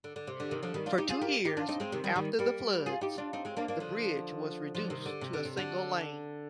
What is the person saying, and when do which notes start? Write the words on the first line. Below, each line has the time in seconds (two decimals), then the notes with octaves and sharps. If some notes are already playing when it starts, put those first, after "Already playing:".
For two years after the floods, the bridge was reduced to a single lane.
0.04 D3
0.16 D3
0.27 C3
0.40 D3
0.51 C3 D#3
0.63 D3 F3
0.74 D#3 G3
0.86 D4 F4
0.98 D#4 G4
1.10 F4 G#4
1.21 G4 A#4
1.45 D#4 G4
1.57 D4 F4
1.68 C4 D#4
1.80 G#3 C4
1.92 C3 D#3
2.04 D#3 G3
2.16 D#3 G3
2.39 G3 A#3
2.86 F4 G#4
3.01 D#4 G4
3.18 D4 F4
3.33 C4 D#4
3.45 G#3 C4
3.57 A#3 D4
3.68 A#3 D4
3.80 D3 F3
4.75 D3 F3
4.90 C3 D#3
5.06 D3
5.21 C3
5.33 D3
5.45 C3
5.57 D3